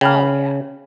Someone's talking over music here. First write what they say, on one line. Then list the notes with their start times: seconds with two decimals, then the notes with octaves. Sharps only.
Oh, yeah.
0.01 C#3 G5 B5 F6